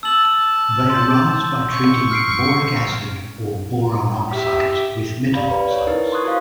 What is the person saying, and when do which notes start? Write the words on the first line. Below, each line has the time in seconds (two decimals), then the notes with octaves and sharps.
They arise by treating boric acid or boron oxides with metal oxides.
0.03 A5 E6 F#7
0.34 A5
0.90 C6 G6
1.69 C#6
2.11 F6 C7 D7
4.30 G4 E5
5.34 G4 D5 F5 B5
5.51 B4
5.71 C#5
5.87 D#4 E4 A#4 B4
6.12 C6 C#6 D#6 F#6 G#6
6.24 E4 F#4 A#4 C5 F5